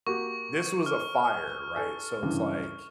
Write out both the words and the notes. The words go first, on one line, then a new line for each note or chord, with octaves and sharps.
This was a fire, right? So it's like,
A#3 F#4 G4 C#6
F6
A4 G#5
G2 C#3 E3